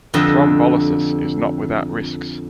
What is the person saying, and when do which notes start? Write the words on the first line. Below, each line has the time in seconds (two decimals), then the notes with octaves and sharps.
Thrombolysis is not without risks.
0.14 F2 D3 G4 D#5